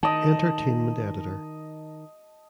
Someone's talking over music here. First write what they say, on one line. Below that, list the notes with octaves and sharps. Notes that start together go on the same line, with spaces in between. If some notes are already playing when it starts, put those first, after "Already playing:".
Entertainment editor.
D#3 D#5 A5